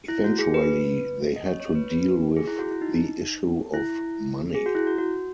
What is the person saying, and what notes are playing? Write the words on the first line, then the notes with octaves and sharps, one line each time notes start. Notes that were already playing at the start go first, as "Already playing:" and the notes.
Eventually, they had to deal with the issue of money.
E4
F#4
G#4
B4
D#5
C#5
C#5
B4
B4
G#4
E4
F#4
E4
D#4
E4
G#4
F#4
E4
F#4
F#4